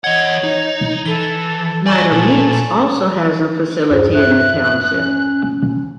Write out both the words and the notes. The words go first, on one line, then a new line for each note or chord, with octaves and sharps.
Schneider Meats also has a facility in the Township.
E3 C#5 D#5 F#5 G#6 G7
D#4
E3 A4 G7
D5 D#5 G#5 C#6 E7
A#2 A4
E2 G2 G#4 C5
E5 F#6
C#4